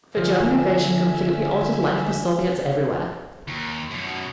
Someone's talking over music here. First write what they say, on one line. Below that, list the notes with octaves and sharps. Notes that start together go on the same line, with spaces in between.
The German invasion completely altered life for Soviets everywhere.
D3 F3 E5 G#5
D#2
F#2 B2